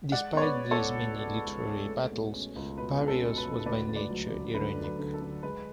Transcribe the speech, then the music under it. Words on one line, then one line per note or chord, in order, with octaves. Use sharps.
Despite these many literary battles, Pareus was by nature irenic.
G#3 D5 F#5
B3 C#5
B4 D5
B3
A4 C#5
C#2
B2
G#3
C#2
G#3
A3
B2
C#4
C#2
B2 B4
C#4
A4
B2
B4
C#2
D2 B4 D5
D2
B4 D5
F#3
D2
D3 B4
F#3
B4
D3
A4
D3
G#3 B4